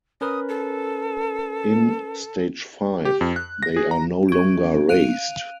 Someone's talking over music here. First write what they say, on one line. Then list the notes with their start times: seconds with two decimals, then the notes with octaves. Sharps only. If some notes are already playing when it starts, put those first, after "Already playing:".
In stage five, they are no longer raised.
0.21 C#4 A#4 B4 D#6
0.49 A4
3.05 G4
3.21 F2
3.36 F#6
3.63 A#6
3.76 G#4
3.91 A#5
4.29 C#4 D7
4.89 F5 F#6 D7 D#7 F7